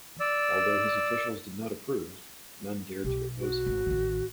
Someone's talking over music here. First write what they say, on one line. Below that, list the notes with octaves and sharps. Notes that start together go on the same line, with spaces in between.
Although his officials did not approve, none dared to oppose him.
D5 E6
B1 G4
F#4
G#1
A1 D#3